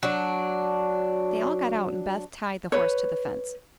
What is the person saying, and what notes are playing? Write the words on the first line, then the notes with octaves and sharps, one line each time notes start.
They all got out and Beth tied the horse to the fence.
F#3 D4
B4 C#5